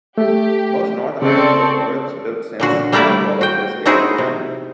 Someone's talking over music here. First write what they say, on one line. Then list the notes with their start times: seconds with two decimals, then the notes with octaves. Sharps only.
Most North American locomotives built since have followed this basic design.
0.18 A3 G4
1.22 C#3 C4 A4 D5 C#6
2.60 A#2 D3 F#4
2.92 G3 A3 A#3 E4 D5 E5
3.41 F#4 G5
3.86 C4 D#4 E4 F#4 G#4
4.18 C3